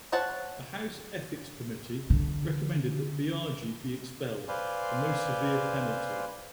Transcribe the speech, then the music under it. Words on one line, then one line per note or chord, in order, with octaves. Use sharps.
The House Ethics Committee recommended that Biaggi be expelled - the most severe penalty.
C5 C#5 F#5 A5
D3
B4 C5 D5 F5 G#5 C6